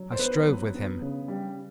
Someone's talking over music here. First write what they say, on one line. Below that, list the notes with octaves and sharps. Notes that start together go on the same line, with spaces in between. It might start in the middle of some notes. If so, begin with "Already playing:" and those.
I strove with him.
Already playing: F#3
C5
B3 B4
F#3
B3
C#3
G3